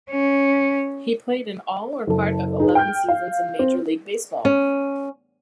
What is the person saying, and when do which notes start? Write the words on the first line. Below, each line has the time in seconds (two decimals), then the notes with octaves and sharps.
He played in all or part of eleven seasons in Major League Baseball.
0.11 C#4
2.07 F#1 A4
2.60 D#4 G#4 B4
2.75 G5 F6 G6
3.08 F5
3.59 C4
4.45 C#4